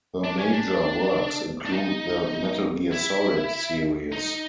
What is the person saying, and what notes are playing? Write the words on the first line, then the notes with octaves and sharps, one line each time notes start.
Her major works include the "Metal Gear Solid" series.
D4
C#4
D4
D4
D#4
E4
D#4